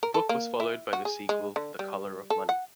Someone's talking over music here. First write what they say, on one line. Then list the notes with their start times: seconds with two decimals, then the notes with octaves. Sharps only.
The book was followed by the sequel "The Color of Money".
0.03 A#4
0.14 A4
0.29 A#3
0.60 E4
0.93 F#4
1.05 G#4
1.29 G#3
1.56 D3
1.79 G3
2.30 A4
2.49 F#5